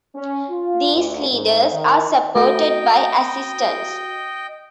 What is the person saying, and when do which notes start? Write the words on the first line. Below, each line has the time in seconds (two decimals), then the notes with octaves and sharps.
These leaders are supported by assistants.
0.15 C#4
0.50 F4
0.93 D2
1.32 G#2
1.71 D#3
2.36 A3 F#4 D#5 G5